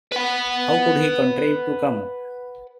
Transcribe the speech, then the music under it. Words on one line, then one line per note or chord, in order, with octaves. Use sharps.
How could he contrive to come?
B4 F#5